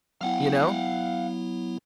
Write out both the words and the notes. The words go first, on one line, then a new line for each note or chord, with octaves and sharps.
You know?
F#3 B3 E4 F5 F#5